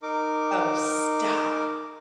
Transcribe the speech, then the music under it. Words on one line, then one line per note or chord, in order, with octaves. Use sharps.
Oh, stop!
D#4 A#4 D6